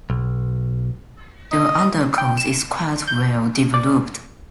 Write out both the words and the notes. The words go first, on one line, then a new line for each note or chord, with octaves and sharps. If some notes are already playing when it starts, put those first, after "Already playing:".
The undercoat is quite well developed.
B1
D#5
G5
E7
G6
D5